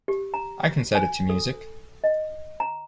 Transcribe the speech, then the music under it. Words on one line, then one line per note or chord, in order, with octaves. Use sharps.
I can set it to music.
G4
A#5
G#5
A4
D#5
A#5